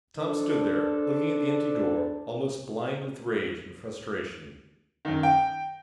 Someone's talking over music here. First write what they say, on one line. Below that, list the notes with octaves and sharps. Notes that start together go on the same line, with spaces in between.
Tom stood there, looking at the empty door, almost blind with rage and frustration.
D4 A4 C5
F#2 D#3
G5